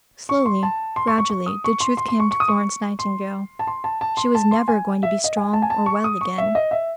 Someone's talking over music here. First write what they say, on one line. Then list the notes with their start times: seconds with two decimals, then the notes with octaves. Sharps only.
Slowly, gradually, the truth came to Florence Nightingale: she was never going to be strong or well again.
0.29 C#6
0.46 C6
0.63 A5
0.96 C6
1.07 C#6
1.18 C#6
1.30 C#6
1.46 D#6
1.64 C#6
1.80 C6
1.97 C6
2.08 C6
2.20 C#6
2.31 C#6
2.40 D#6
2.48 C#6
2.99 C6
3.59 A5
3.67 C6
3.84 A5
4.01 A5
4.17 C6
4.35 A5
4.51 C6
4.68 G#5
5.03 E5
5.24 D#5
5.37 G#5
5.53 A5
5.62 G#5
5.70 A5
5.86 C#6
6.04 D#6
6.21 C#6
6.38 E5
6.55 D#5
6.71 E5